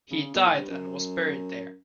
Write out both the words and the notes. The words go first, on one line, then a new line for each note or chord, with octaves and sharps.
He died and was buried there.
C#3
B2
A2
G2
F#2